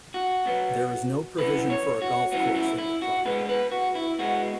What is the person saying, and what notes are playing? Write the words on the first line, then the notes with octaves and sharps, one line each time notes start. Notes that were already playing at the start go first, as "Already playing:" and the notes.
There is no provision for a golf course in the plan.
F#4
B2 F#3 B3
F#2 E3 B3 B4
C#5
F#4
F#2 E3 B3 F#4
E4
E4
F#4
B2 G#3 B3 B4
B4
F#4
E4
B2 G#3 B3 F#4